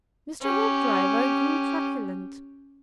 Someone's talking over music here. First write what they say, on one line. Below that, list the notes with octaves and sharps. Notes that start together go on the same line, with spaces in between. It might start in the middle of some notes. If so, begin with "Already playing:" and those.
Mr. Hoopdriver grew truculent.
C#4 G4